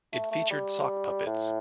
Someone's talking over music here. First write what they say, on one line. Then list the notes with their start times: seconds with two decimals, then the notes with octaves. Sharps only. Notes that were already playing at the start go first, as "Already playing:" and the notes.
It featured sock puppets.
0.13 A3
0.31 A3
0.50 G3
1.26 A2